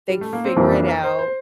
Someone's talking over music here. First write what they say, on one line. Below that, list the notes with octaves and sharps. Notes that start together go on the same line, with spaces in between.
they figure it out,
G3
A3
A#3
C4
F2 E3 A#3 C4
D4
A#4
C5
C5